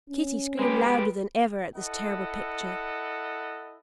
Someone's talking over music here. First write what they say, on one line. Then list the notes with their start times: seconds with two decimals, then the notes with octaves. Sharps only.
Kitty screamed louder than ever at this terrible picture.
0.10 C#4
0.59 G#3 G4 B4
1.75 E4 A4 D#5 F#5